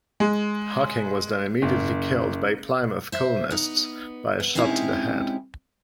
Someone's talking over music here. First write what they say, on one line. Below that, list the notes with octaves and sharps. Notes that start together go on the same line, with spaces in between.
Hocking was then immediately killed by Plymouth colonists by a shot to the head.
G#3
F#1
C5 E5
B3 D#4
B3
G#3 C4 C#4 D#4 E4 G4